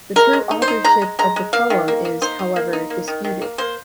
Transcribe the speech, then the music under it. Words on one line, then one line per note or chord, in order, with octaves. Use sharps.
The true authorship of the poem is, however, disputed.
G#3 A#4
G#3
D#4
C5
D#4
G#3 A#5
G#3
G#3 A#5
G#3
A#3 F5
D#3
A#3
A#3
D#4 C5
D#4
A#3
D#4
A#3
D#3
D#3
A#3
A#3 C5